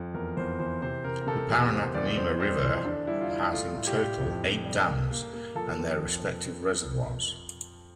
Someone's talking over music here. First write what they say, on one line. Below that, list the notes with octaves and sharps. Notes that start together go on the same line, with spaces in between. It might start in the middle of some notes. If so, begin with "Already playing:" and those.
The Paranapanema River has in total eight dams and their respective reservoirs.
Already playing: F2
E2 A#4
E2 C5
E3 C5
C3 C5
C3 A#4
A#4
C3 A4
E2 G4
A#3 C5
E2 D5
F2 C5
G3 C5
E3 C5
D3 D4
G3 E4
F4
G3 E4
A3 F4
A2
G4
A2
F2
F2
G3
A#3
A#3
A#3
F3 A4
F2